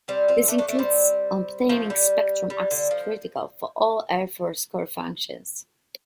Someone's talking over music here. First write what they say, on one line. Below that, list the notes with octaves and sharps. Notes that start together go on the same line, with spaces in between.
This includes obtaining spectrum access critical for all Air Force core functions.
G3 C4
C4 F4
A3 D4
A3 D4
A3 D4
G3 C4
F3 A3
G3
G3
D3
F3